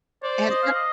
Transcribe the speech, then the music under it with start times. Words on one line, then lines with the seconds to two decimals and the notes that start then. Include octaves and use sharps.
And so
0.23 C5 D5
0.51 D#5
0.63 F5
0.75 D#5